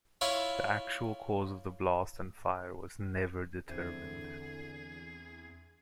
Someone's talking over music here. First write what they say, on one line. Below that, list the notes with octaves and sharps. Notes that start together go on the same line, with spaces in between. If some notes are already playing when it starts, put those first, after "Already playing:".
The actual cause of the blast and fire was never determined.
E4 F4 C#5
E2 D3 C4 D4 E4 G#4